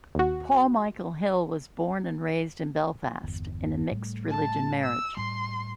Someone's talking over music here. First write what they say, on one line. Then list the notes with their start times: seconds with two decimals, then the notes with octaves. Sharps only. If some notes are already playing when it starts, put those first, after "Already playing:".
Paul Michael Hill was born and raised in Belfast in a mixed-religion marriage.
0.15 D#2 F#4
3.24 G1 E2
3.91 A2 G3 A3
4.30 A5
4.83 E6
5.17 A2 G3 C6